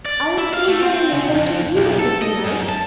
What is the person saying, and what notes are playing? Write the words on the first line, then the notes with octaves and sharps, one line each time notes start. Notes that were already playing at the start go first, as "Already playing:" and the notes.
I'll stay here in England to do it, if you like.
D5
E4
F5
A3
C4
C#3
F2
B1
A4
D#5
F#2
A5